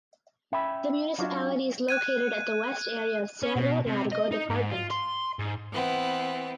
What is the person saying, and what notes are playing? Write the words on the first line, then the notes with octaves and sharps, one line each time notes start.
The municipality is located at the west area of Cerro Largo Department.
C#4 E5 G5 B5
F#3 D4 F4 F#4
F#6 G#6 D#7
C#4
B2
C3
D#5
D#4
G#2
F4
C6
G#2
E3 B3 C4